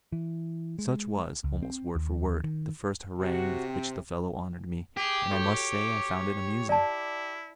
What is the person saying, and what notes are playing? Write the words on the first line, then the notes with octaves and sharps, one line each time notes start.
Such was, almost word for word, the first harangue with which the fellow honoured me, and I must say I found it amusing.
E3
G#3
C#2
C4
D#2
D#3
C3 F#4
C4
G4 G#4
F#4 A4 C#5
E4 D5 A5